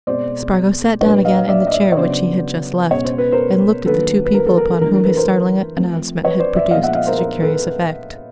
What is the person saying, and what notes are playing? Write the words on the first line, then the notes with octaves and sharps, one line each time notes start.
Spargo sat down again in the chair which he had just left, and looked at the two people upon whom his startling announcement had produced such a curious effect.
B2 G#3 C4 C5 D5
A#2 F#3 A#3 D4 B4 C#5
D#5 F5
D5 E5
D#5
D5 E5
C#5
C#3 F#3 B3 D4 C5 D5
B2 G#3 C#4 C#5
C5
B4
A#4 C5
D#3 F#3 A#3 D4 A4 B4
B4
A#4
A4
A#4
A4
E3 A3 D4 A#4
A#4
A4 B4
A#4 C5
F3 A3 C4
B4 C#5
C5 D5
D5 E5
A#2 F3 G#3 B3 D#5 F5
E5 F#5
D#5 F5
A#4 C5
A#4
A4 B4